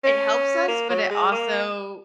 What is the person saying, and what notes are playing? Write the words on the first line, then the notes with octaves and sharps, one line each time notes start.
it helps us, but it also
C#4
A#3
F#3
G#3
A#3